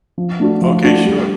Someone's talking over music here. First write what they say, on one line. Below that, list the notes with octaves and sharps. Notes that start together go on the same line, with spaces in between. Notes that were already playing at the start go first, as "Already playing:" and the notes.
Okay, sure.
F3
A3 D4 F#4
F3
A3 D4 F#4
G3